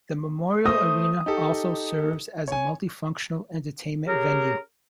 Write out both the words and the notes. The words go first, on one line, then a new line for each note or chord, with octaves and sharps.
The Memorial Arena also serves as a multi-functional entertainment venue.
A3 C5 D#6 A#6
D#4 G4 A4
C#5 G#5
C#4 G4 G#4 A#4